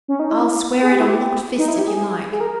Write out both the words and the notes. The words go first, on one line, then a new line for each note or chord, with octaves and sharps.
'I'll swear it on locked fists, if you like.
C#4
D#4
E4
G#4
G4
E4
G4
D#4
E4
G4
G#4
G#4
A#4